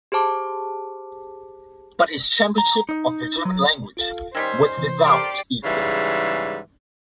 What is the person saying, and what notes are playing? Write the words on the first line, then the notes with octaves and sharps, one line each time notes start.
But his championship of the German language was without equal.
G4 G#4 C5 A5 D6
A#5
D#4
F#3
F4 A4 F5
D#3 G3 C#4 C5 E6 G#6 B6
C3 E3
G4 A4 A#4 C5 D5 D6 C7
G#2 C#3 E3 G3